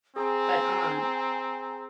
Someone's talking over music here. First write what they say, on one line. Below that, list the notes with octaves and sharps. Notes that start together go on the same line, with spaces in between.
But, um
C4 G#4 G#5 A#5